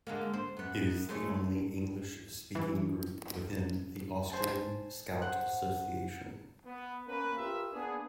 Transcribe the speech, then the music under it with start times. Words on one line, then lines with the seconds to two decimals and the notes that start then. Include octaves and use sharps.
It is the only English-speaking group within the Austrian Scout association.
0.07 D3 G#3 A#3
0.33 C5
0.57 F#2 B3
1.09 G#3 A3 C#5
2.55 E3
4.30 C5 G#5 A5
5.22 C5 F#5
6.66 B3
7.06 A#3 B3 C#4 A#4 B4
7.36 F4 G4 A#4 B4 E5
7.73 A#3 B3 D4 G#4